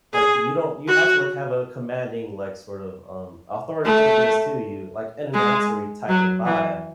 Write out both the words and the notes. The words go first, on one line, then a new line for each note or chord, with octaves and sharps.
like, you don't you have to, like, have a commanding, like, sort of, um, authoritativeness to you, like, an announcery type of vibe
G#4
F#4
A3
G#3
F#3
E3